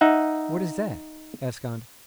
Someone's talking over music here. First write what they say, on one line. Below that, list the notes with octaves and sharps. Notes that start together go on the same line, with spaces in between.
"What is that?" asked Andrea.
D#4 E5 F#5